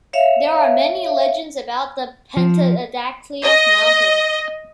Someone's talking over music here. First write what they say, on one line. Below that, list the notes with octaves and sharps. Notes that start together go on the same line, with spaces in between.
There are many legends about the Pentadactylos mountains.
C#5 E5 F5
F3
D#5